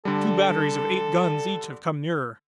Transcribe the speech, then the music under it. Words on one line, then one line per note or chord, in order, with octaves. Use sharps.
Two batteries of eight guns each have come nearer.
D3 G3 A4